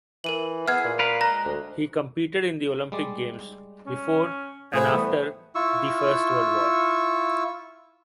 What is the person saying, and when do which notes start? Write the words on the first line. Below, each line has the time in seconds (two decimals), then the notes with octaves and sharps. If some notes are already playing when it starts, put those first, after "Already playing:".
He competed in the Olympic Games before and after the First World War.
0.24 E3 A#4 D#7 F#7
0.68 B3 E4 G#4 F6 G#6
0.84 A#2
0.99 A#4 B4 F5
1.21 G#3 D#5 A#5 F#6 A#6
1.45 D2
2.92 G3 G#3 D5
3.86 C#4
4.73 A2 F4 G#4 B4 C5
4.91 E3 G3 A3 B3
5.55 E4 F4 C#6 E6